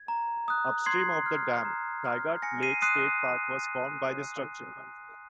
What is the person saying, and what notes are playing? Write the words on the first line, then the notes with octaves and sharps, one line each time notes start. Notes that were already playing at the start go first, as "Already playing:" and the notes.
Upstream of the dam, Tygart Lake State Park was formed by this structure.
Already playing: G#6
A#5
D#6 F#6
C6 G#6 C7
F6
A#5
F6
G#5 A#6 C#7
C7 D#7
C6 D#6 F#6 C7 D#7